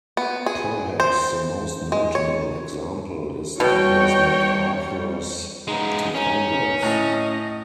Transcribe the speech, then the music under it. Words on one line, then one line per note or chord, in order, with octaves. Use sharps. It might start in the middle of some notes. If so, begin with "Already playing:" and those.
Perhaps the most notable example is Douglas MacArthur's to Congress.
B3
G#4
C5
G#3
C#5
B2 G3 F#4 C#5 G5
G#3 B3 D#4
C#4 D#4
A2 D#5